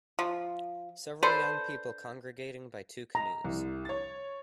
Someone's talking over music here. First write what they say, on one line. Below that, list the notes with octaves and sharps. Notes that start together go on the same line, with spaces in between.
Several young people congregating by two canoes.
F3
D4 A4 B4 C5
A#5
C2
C#5 A6